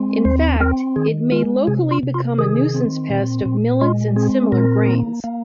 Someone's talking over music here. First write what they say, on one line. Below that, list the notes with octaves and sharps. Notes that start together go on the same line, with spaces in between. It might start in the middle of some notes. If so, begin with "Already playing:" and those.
In fact, it may locally become a nuisance pest of millets and similar grains.
Already playing: G#3 C4
D#2 C5
C4 A#4
D#3 G#4
G#3 F4
C3 G#4
F4
C3
F4
D#3 G#4
C4
A#2
A#2
G#3 F4
C4 G#4
A#2 A#4
A#3
A#3